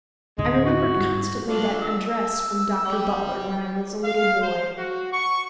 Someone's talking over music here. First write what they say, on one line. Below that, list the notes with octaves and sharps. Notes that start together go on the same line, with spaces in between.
I remembered constantly that address from Dr. Butler when I was a little boy.
D2 A2 D3 G#3
F#4
G#2
G#2 G3
D4 F4 A4
E6
G3 G5
F5
C5
F#4
C#6